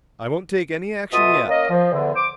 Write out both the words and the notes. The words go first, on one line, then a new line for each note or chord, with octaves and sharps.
I won't take any action yet.
B2 A3 F4 E5 D#6
A#3 C#4 A#4 D#5
F3
E2 D3
C5 D6